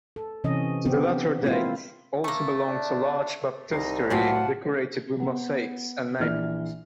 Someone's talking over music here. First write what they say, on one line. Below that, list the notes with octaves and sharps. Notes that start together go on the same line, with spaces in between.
To the latter date also belongs a large baptistery decorated with mosaics at Naples.
A4
C3 E3 C#4 D#5
B3 C4 D4 G4
G#3 A#3 C4 E4 F4
A3 A#3
D4
C2 D#4 C7
A2 E3 F#3 C4 F4 F#5 A5
B3
A#1 E3 D5 F6